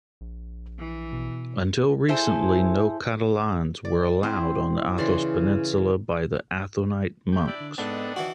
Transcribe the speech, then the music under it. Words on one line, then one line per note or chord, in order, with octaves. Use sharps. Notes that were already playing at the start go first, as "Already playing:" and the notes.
Until recently no Catalans were allowed on the Athos peninsula by the Athonite monks.
A#1
E3
B2
E4 G#4 A4 C5
D5
C4 E4 C5
C#3 E3 D5 C6
G4
D4 E4 D5
D3
G#2 B3 C4 D4 D#4 A4
E3 E4 F#4